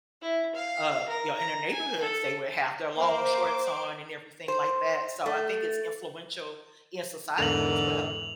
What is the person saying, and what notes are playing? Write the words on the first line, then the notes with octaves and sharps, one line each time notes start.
uh, you know, in their neighborhoods, they would have their long shorts on and everything like that, so I think it's influential in society as well.
E4
F5
A#4
A#5
G#5
A4
A#3 C5 D6
C5
A3
E2 G#2 D3 E3 A#4 F7 F#7